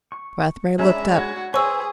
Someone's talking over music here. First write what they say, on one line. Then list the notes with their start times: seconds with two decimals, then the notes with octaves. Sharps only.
Rathbury looked up.
0.12 C#6
0.79 G#3 C#4 D4 E5 A#5 B5
1.15 F#4 G#6
1.54 G#4 B4 C5 G#5 C6 C#6 E6